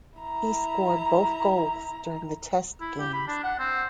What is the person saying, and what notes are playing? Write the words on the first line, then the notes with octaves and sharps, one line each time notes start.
He scored both goals during the test games.
E4 A#5
E4
G4
B5
D4
F#5
C4